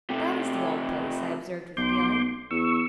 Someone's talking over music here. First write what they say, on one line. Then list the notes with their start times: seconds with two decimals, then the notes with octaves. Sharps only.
'That is the old place,' I observed with feeling.
0.10 C3 A3
1.77 B1 C6 D6 G6
2.51 E2 C#6 E6